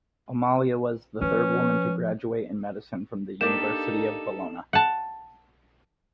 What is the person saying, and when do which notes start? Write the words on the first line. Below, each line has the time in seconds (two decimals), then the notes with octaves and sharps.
Amalia was the third woman to graduate in medicine from the University of Bologna.
1.22 F3 C#4 B4
3.41 A#3 D4 D#4 G4 A4 E7
4.73 F#5 A5